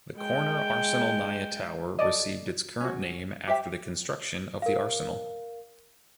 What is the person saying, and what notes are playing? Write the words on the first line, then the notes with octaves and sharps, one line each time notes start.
The Corner Arsenalnaya Tower received its current name after the construction of the Arsenal.
G#3 G5
A4 D5 D#5
C#4 F#4
G4 C5 E5 G5
A#4 F5